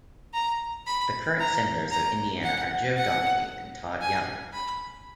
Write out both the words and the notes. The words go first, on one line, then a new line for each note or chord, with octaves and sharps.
The current senators of Indiana are Joe Donnelly and Todd Young.
A#5
B5
A#5
A#5
F#5
F#5
G#5
B5